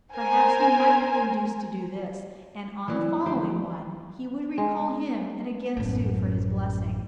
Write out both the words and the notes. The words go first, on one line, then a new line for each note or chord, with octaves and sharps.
Perhaps he might be induced to do this, and on the following one he would recall him and again sue for his blessing.
A#4 C5 G#5
E3 F#3 E4 D5
D2 F3 F#3 A3 G4 C5
G#3
A1 F#2